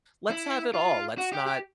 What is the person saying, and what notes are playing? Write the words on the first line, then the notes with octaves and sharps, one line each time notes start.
Let's have it all. Let's not
E4
F4
F#4
G4
G4